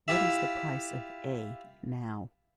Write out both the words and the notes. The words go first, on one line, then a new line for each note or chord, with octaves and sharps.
What is the price of "A" now?
E4 F4 G4 E5